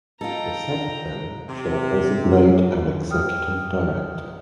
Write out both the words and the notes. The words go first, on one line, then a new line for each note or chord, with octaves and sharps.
The Secretary shall designate an Executive Director.
D#4 F4 A4 G5 A#5
C3
G5 D#6 F6